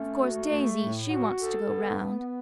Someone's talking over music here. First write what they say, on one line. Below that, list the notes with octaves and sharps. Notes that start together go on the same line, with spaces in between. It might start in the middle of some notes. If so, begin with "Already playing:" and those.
Of course Daisy--she wants to go round.
Already playing: A3 C#4
F#4
A3
A2
F#4
A4
B3
B3